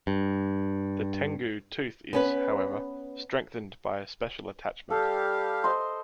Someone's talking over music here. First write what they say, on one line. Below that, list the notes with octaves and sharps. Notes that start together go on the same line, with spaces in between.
The tengu tooth is, however, strengthened by a special attachment.
G2
B3 C#4 B4
G3 G4 A4 F5
C5 D#5 C6